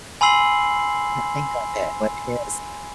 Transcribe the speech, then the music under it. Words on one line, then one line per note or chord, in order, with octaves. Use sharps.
Can't think of it, what it is.
G#5 B5 C6 E6 C7 F#7